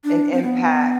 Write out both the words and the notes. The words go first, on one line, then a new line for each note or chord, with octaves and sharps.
an impact
D4
C4
B3